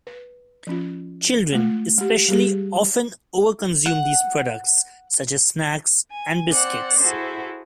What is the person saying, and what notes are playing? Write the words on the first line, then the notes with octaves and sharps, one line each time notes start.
Children especially often over-consume these products, such as snacks and biscuits.
B4
F3 C#4 F4
G#3 A3 F4
G#3 G4
G3 G4 G#4
F#5
G#5
C4 C5 D5 F#5
E4 F#4 G#4 A4 C5